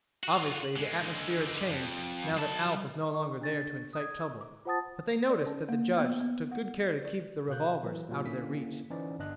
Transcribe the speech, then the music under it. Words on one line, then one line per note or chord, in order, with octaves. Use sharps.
Obviously, the atmosphere had changed, now that Alf was no longer there to incite trouble, but they noticed that the Judge took good care to keep the revolvers out of their reach.
F4 F#4
D3 G#3
F2
F#3 A5
C#6
D4 A6
D#6 G#6
D6
F4 C5 F#5 A5 D#6 A6
D5
C#4
A#3
B3
B3
F#5
D5
B2 F5 F#6 G6
E3 F#3
A#2 F#3 F4 G4
D3 A#3 C#4 E4 B6
E3 C#4 D#4 C5 D5
G1 D4 D#5 F#6